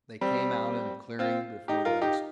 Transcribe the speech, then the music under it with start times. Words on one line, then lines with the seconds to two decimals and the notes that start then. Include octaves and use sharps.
They came out in a clearing, before dusk.
0.21 G3 C4
1.19 C4 F4
1.68 D#4 G4
1.85 F4 A#4
2.01 D#4 G4